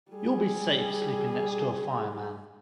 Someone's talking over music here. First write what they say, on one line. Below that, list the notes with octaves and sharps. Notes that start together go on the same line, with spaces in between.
You’ll be safe sleeping next to a fire man.
G3 G#4